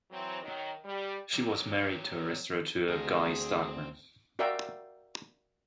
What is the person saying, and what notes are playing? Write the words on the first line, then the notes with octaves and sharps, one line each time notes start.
She was married to restaurateur Guy Starkman.
E3 F#3 C4
D#3 F#3
G3
F#3 G4
D2 C4 G#4 A#5
F#4 A#4 D5 E5 F5 G5